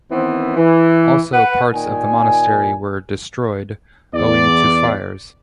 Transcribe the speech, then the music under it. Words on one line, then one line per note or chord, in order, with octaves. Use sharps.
Also parts of the monastery were destroyed owing to fires.
D#3 E3 B3 C4
E3
B4 F#5
A#2 D#3 G#5
E2 D5